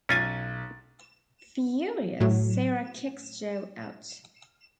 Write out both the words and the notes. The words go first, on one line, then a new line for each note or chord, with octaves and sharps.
Furious, Sara kicks Joe out.
B1 C#4 F4 G#5 A6
A2 F#3